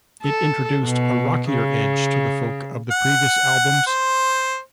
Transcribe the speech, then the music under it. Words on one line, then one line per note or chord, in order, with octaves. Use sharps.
It introduced a rockier edge to the folk of the previous albums.
A4
B2
C#3
F#5
C5